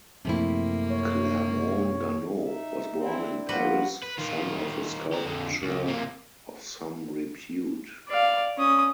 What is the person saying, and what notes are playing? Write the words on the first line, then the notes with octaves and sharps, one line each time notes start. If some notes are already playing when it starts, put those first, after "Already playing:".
Clermont-Ganneau was born in Paris, son of a sculptor of some repute.
F#2 C3 F3 A3 A#3 C4 E4
C#5
D#4 E5
C4 D4 E4
F3 G3 A#3 F#4 B4 C5 F#5
B4
D#3 F4
G4 A#5
F2 D3
C#2
C3 A#3
D5 F5
C#4 D#6